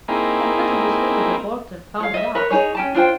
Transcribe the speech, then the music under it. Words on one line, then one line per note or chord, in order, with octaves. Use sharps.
And not a newspaper reporter found it out!
A#3 C4 D#4 E4 G#4
C#5 F5
D#5 E5
A#4 B4 C#5
D#4 G#4 C#5
C#4 G4 A5
D4 F4 C5 G5